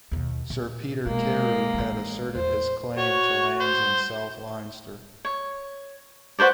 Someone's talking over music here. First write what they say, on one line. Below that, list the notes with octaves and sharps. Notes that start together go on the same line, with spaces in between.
Sir Peter Carew had asserted his claim to lands in south Leinster.
D#2 B2
A#2
B2 G#3 A#3
A1 C4
E2 C5
F#4 C#5
C5
C#5
F#4 B4 C5 D5